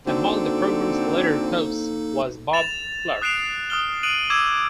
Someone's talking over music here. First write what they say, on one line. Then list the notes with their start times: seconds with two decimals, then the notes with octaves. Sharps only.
Among the program's later hosts was Bob Clark.
0.07 D3 A#3 C4 D#4 F#4 A4
2.53 A6 E7 F7
3.21 D#6 F#6 C7 D7 E7 F7
3.70 D#6 F6 G7
4.03 D#6 F#6 D7 D#7 F#7
4.30 D6 E6 G#6 E7